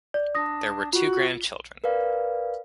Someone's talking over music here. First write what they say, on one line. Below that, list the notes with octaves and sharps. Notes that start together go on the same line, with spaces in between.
There were two grandchildren.
D5
D4 D#6 A#6
F4 F#4
A#4 B4 D5 F5